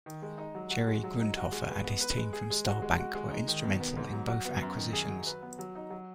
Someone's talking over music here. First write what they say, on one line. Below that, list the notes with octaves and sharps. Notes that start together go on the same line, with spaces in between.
Jerry Grundhofer and his team from Star Banc were instrumental in both acquisitions.
D#3
G#3
D#4
F#3
F#4
G#3
F#3
D#4
F#4
G#3
B4
B3
B4
G#3
G#4
G#3
F#4
G#3
F#4
G#3
D#4
D#3
B2
B3
G#2
F#3
F#4
B3
F#2
D#3
G#4
F#3
B4
B3
F#3
D#4
F#3